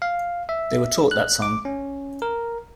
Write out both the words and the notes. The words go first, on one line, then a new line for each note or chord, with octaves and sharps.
They were taught that song.
F5
E5
F#6
D6
C#4
A#4